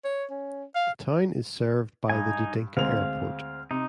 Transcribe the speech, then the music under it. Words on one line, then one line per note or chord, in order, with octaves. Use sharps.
The town is served by the Dudinka Airport.
C#5
C#4
F5
G2 D#4 G#5
D2 G#3 C4 F5 F7
C3 D#4